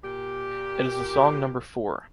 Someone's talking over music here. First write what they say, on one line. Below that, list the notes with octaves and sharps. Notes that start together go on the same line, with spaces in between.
It is the song number four.
A#2 G4